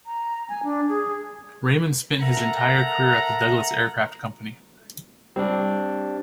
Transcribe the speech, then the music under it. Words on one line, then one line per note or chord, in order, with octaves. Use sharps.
Raymond spent his entire career at the Douglas Aircraft Company.
A#5
G#5
D4
G#4
A4 A#4 E5 F#5 A#5
G3 C4 D4